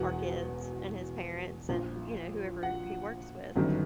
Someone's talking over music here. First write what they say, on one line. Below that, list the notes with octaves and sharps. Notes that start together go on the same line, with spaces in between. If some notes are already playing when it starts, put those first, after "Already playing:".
our kids and his parents and, you know, whoever he works with.
Already playing: E1 E2 B2 F#5
A#1 A#2
F#5
G1 F#2 D#3